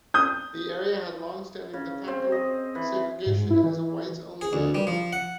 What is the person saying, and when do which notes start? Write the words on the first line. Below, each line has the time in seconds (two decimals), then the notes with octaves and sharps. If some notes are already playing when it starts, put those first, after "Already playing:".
The area had longstanding "de facto" segregation as a whites-only neighborhood.
0.14 D#6 G6
1.74 C#3
2.08 C4
2.32 D#5
2.75 E3
3.26 G#2
3.50 E4
3.63 E3
4.41 G#4
4.53 D2
4.75 G3
4.87 F3
5.13 F#5